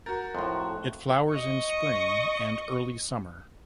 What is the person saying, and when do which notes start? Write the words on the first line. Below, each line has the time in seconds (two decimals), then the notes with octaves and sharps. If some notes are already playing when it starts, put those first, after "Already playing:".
It flowers in spring and early summer.
0.06 F#4 A#4 G6 A6
0.35 F2 A2 A5 C6 F#6
0.60 C#6
1.30 D#5 C#6